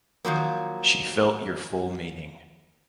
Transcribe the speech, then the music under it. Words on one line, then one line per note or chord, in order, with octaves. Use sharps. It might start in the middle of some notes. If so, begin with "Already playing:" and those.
She felt your full meaning.
D#3 F3 F#3 A#3